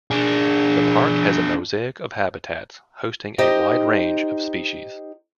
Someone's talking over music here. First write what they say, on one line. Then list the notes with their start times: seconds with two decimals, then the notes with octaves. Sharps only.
The Park has a mosaic of habitats, hosting a wide range of species.
0.11 D4 G#4
3.38 D#4 G4 C5 D#5